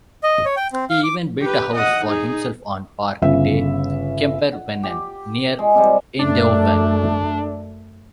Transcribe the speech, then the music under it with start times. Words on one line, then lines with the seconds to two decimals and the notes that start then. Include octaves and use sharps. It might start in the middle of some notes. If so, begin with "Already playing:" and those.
He even built a house for himself on park "De Kempervennen" near Eindhoven.
0.23 D#5
0.45 C#5
0.57 G5
0.73 C4
0.90 F5
1.03 D6
1.41 G4 B4
1.74 D#5 F#5
2.06 D#4 G#4
3.22 G1 C#3 E5
4.52 F#5
4.83 G4
5.59 G#3
5.75 C3 G3
6.19 F#2 A3 D4